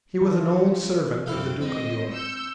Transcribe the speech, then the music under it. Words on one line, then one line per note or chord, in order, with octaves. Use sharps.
He was an old servant of the Duke of York.
C#3 F3
F#2 C4 E4 A4 F5
G#3 C4 C5 D#5
E6 G6 C#7